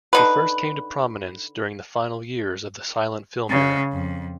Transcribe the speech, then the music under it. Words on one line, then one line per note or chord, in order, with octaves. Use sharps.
He first came to prominence during the final years of the silent film era.
D3 D#4 B4
C#3
F2